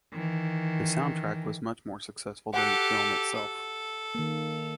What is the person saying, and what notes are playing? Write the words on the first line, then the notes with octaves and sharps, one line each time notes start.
That soundtrack was much more successful than the film itself.
D#3 E3
G4 A4 F#5
A4
D#3 A#3